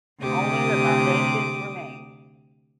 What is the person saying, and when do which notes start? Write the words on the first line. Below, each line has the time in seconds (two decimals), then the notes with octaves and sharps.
Only the foundations remained.
0.20 D2 C3 G4 D6 D#6